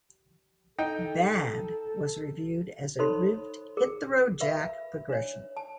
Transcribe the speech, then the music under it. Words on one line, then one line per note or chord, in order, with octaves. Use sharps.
"Bad" was viewed as a rived "Hit the Road Jack" progression.
D#4 A4 G5
D#4 A4 C5 C#5 B5 C6
G#4 A#4
A#4 B4 E5 F5 B5
D4 C#5
A5